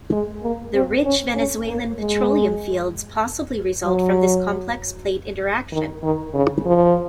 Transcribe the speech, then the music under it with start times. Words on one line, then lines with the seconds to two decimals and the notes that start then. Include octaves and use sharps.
The rich Venezuelan petroleum fields possibly result from this complex plate interaction.
0.12 G#3
0.43 A#3
0.74 C4
1.05 C#4
1.36 C#4
1.67 A#3
1.99 G#3
3.85 F#3
5.72 D#3
6.03 D#3
6.34 C#3
6.66 F3